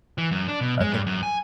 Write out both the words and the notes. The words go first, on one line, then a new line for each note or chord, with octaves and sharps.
I think th
E3
F#2
D4
B2
G#3
G2
F#2
G#5